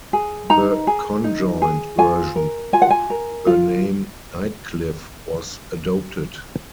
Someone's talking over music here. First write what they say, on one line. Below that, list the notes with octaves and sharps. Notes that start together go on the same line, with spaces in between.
The conjoint version of the name, "Nightcliff" was adopted.
G#4
D#4 A#5
G#4
D#4
G#4
F4 G#5
A#4
F4 G#5
F#5
G#5
A#4
F4